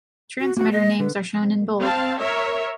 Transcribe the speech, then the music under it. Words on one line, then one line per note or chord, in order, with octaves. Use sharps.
Transmitter names are shown in bold.
F#4
A#3 F#4 F#5
D#5
D3 B4
C4 F5 A5
A#4 C#5 E5